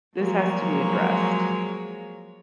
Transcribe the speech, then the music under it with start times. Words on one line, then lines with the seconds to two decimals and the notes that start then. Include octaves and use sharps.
This has to be addressed."
0.16 F3 F#3 G#3 A#3 C#5